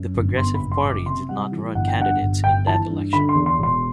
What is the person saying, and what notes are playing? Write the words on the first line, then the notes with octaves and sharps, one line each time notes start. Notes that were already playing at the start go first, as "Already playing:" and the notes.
The Progressive Party did not run candidates in that election.
Already playing: F#2
G1
B3 C6
B5
F#1
C6
F#1
D6
C3 C6
G3 F#5
E3
G1 F#5
G5
G2 F#5
G1
G1 G5
E3 A5
G2
D3 B5
C6
E2
C6
E1
C6